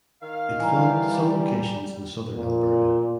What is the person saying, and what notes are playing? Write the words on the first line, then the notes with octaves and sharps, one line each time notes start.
It filmed some locations in southern Alberta.
D#3 F5
E3 G3 G#5 A#5
A#2